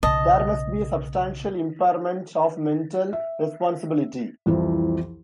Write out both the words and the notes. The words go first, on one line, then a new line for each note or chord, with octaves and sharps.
There must be a "substantial" impairment of mental responsibility.
B1 C#3 D#5 A5
E5
C2 F2 E3 F3